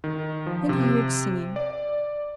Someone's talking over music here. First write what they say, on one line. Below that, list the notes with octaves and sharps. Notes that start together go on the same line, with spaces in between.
Then he heard singing.
D#3
F3
C3
D5